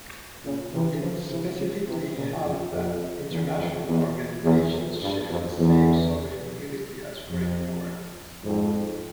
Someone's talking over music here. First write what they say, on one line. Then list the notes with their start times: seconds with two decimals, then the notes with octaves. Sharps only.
It specifically held that international organizations shared the same sovereign immunity as foreign governments.
0.44 A#2 C#3
0.72 C3 E3
1.01 C#3 F3
1.29 C3 E3
1.58 C#3 F3
1.86 C3 E3
2.16 A#2 C#3
2.43 F2
2.73 F2
3.30 E2
3.57 F2
3.87 E2
4.43 E2
4.72 F2
5.01 G2
5.30 F2
5.59 E2
7.29 F2
8.43 F2 G#2